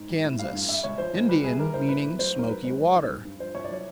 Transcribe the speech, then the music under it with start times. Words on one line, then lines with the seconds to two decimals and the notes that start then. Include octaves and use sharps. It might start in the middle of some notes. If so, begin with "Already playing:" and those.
Kansas--Indian; meaning "smoky water."
Already playing: G#2
0.09 G3
0.24 A2
0.39 G3 F5
0.53 G2
0.68 G3 E5
0.84 C#2 C#5
0.98 F3 C5
1.14 C#2
1.29 G3 B4
1.44 C2 G#4
1.59 G3 A#4
1.74 A2 C5
1.89 A2 B4
2.04 A2
2.19 F#3 C5
2.34 D#2 A#4
2.49 F#3 B4
2.64 C#2 C5
2.79 F#3
2.94 D#2
3.10 G3
3.25 G2
3.39 F3 C5
3.55 C2 C#5
3.64 D5
3.70 F#3 C#5